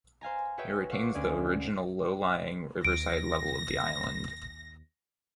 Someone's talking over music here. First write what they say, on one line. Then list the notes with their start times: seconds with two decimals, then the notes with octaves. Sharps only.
It retains the original low-lying riverside level of the island.
0.21 C5 F5 G#5 A#5
0.58 F#4 G#4 B4 C#5 E5 G5
0.91 F5 F#5 C#6 D6 E6 C7
1.14 D2 C#4 G#4 D5
2.85 D#2 A#6 D7